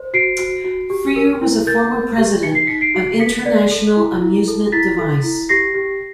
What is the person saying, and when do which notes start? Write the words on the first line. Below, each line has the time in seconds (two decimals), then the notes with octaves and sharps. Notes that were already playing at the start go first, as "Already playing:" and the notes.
Feerer was a former president of International Amusement Device.
Already playing: C5
0.13 F#4 C7 D7
0.39 F#4
0.64 F#4
0.90 G4
1.16 A#4
1.42 E4
1.67 A#4 G6 A6
1.92 A#4
2.18 G4
2.43 D#4 C#7
2.55 C7
2.67 D#4 B6 C#7
2.81 C7 D7
2.94 F#4
3.20 A4 B6 C#7
3.45 D5
3.71 A4
3.96 E4
4.22 E4
4.48 A4
4.72 E4 A6 B6
4.98 A4
5.24 E4
5.49 G4 A#6 C7
5.74 G4